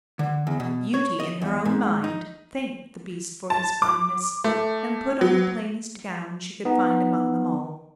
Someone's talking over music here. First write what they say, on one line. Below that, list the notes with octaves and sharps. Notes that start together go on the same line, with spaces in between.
Beauty, in her own mind, thanked the beast for his kindness, and put on the plainest gown she could find among them all.
D3
E2
B2
C#5
D#5
E2
G#2
D#4
A5
D6
A3
F#3
B3 D#4